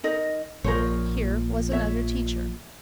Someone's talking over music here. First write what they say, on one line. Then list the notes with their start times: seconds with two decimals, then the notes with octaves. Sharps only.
Here was another teacher.
0.04 D#4 A#4 D#5
0.64 A#1 A#2 F3 A#4 C5 C#5
1.72 C#5 E5